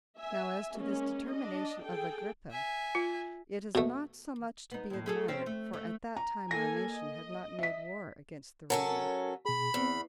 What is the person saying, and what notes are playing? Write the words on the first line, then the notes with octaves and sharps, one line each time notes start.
Now as to this determination of Agrippa, it is not so much to be admired, for at that time our nation had not made war against the Romans.
E5 G#5
G#3 A#3 C#4
D4 D#5
G#4 A4 G5
E5 G#5
F4
B2 A3
B3 D#4
D#2 A2
A3 G#4 A4
F3 C4 C#4
A3
A3
A#5
A#3 A4 G#5 A#6
D#5
E5 B6
F#3 C#4 A4 A#4 A5
B2 G#4 B5
E2 B3 C4